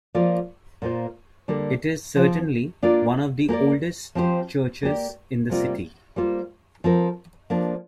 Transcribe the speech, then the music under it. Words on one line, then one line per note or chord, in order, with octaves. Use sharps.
It is certainly one of the oldest churches in the city.
F3 A#3 F4 D5
A#2 A#3 F4 C5
D3 G3 A#3 D4 A#4
F3 C4 F4
A#3 D4 F4 D5
A#3 G4 A#4 D5
F3 C4 G4 C5
A#3 G4 D5
C3 G3 A#3 F4 D5
G3 A#3 F4 C5
F3 C4 A#4
F3 A#3 D4